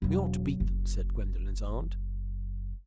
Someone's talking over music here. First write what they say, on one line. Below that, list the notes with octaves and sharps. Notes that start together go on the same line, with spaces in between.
"We ought to beat them," said Gwendolen's aunt.
E1 F#3
F#1 F#2